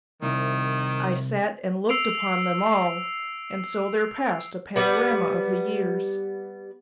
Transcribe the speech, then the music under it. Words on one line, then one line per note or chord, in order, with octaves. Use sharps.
I sat and looked upon them all, and so there passed a panorama of the years.
C2 D#3
E6 C7 D7 F7
G3 B3